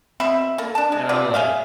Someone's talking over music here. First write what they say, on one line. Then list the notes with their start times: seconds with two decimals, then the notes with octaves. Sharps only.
and I'm like
0.20 B2 C4 E5 B5
0.58 A#3 A4
0.75 D4 A5
0.92 G#3
1.09 F4 F#4 B4 D5
1.34 G#4 E5 F5